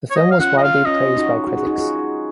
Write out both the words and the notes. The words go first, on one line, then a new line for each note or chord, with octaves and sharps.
The film was widely praised by critics.
C#5
D#5
F5
C#4 F4 F#5
D#5
F5
C#4 F4 D#5
D#4 F#4
F#4
G#4
D#4 F#4
F4 G#4